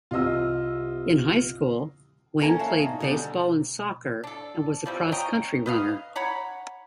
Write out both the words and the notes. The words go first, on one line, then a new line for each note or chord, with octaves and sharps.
In high school, Wayne played baseball and soccer, and was a cross country runner.
C2 F4 D#5 E6
A#3 C#4 A4 G#5 A#5
F#4 C#5 E5 F5 A5
D#4 D5
B2 D3 G3
D4 A4
F3 G3 C4
C#4 D#5 G5 A#5
B4 D#5 F5
C#5 F#5 A#5 B5